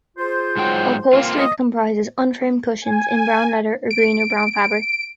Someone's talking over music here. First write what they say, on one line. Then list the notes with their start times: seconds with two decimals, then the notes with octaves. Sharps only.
Upholstery comprises unframed cushions in brown leather, or green or brown fabric.
0.18 F4 G#4 C5
0.57 G#2 F#3 G5
1.13 A#3 C4 F4
1.38 D#5
2.82 G#5
3.91 D7